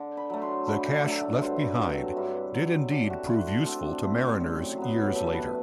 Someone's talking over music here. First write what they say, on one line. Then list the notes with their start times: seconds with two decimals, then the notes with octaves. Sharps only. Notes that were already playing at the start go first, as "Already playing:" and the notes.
The cache left behind did indeed prove useful to mariners years later.
Already playing: D3
0.17 B5
0.30 F#3 A3
0.42 C6
0.67 D3 B5
0.85 G5
1.04 F#3 A3 E5
1.24 F#5
1.42 G2 C5
1.60 B4
1.79 F#3 C4 G4
1.98 F#4
2.16 G2 E4
2.54 F#3 C4
2.91 D3 G4
3.10 F#4
3.28 A3 C4 E4
3.48 D4
3.62 D3 C4 D4
3.84 D4
4.03 A3 C4 E4
4.21 G4
4.40 F#2
4.78 F#3 B3
5.07 G4
5.15 F#2 A4
5.34 B4